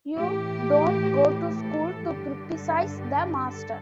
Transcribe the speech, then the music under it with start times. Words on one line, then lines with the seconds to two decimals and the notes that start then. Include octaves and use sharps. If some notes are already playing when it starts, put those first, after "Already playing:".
You don’t go to school to criticize the master.
0.17 A2 E3 G4
1.57 A4
2.04 G2 D3 G4
2.52 A4
2.98 G4
3.46 A4